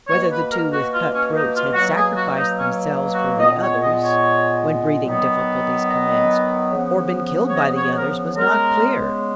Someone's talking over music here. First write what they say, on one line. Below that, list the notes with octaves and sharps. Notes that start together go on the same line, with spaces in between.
Whether the two with cut throats had sacrificed themselves for the others when breathing difficulties commenced, or been killed by the others, was not clear.
B2 A#3 C#5
B4
A#4
F#4
F4
C#4
D#4
F4
B2 F#3 A#3 F#4
G#4
F#4
D#4
C#4
F#4
A#2 G#3 B3 D#5
C#5
D#5
C#5
D#3 F#3 B3
D#5
C#3 F3 B3
C#5
D#5
C#5
A#4
C#3 G#3 B3 A#4